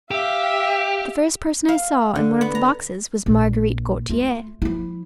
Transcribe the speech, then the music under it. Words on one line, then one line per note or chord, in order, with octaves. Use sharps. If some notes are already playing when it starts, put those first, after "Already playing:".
The first person I saw in one of the boxes was Marguerite Gautier.
G4 E5 F5
F5
D3
B3
A#5
A#1
A3 F4
F3 E4